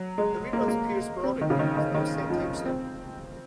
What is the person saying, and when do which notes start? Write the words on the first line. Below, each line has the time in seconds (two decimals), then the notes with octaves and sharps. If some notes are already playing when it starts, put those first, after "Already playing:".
The reruns appear sporadically, with no set time slot.
Already playing: F#3
0.18 G#3
0.53 A#3
0.61 G#3
0.68 A#3
1.24 C4
1.41 D#3
1.50 C#3
1.59 D#3
1.77 D#3
1.94 D#3
2.30 F3
2.65 C4